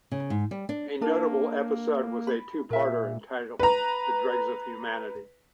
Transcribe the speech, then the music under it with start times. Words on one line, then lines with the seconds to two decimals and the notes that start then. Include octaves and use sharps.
A notable episode was a two-parter entitled "The Dregs of Humanity".
0.12 C#3
0.30 G#2
0.51 G3
0.69 D4
1.01 A#3 D4 A#4 A5
2.27 B5
2.71 A#2 A#4 E5
3.59 B4 A#5